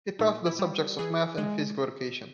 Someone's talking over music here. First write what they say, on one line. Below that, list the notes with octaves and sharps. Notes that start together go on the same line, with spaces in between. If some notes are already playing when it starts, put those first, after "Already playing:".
He taught the subjects of math and physical education.
A#2 D#4
E4
G3
E3 G#4
G#3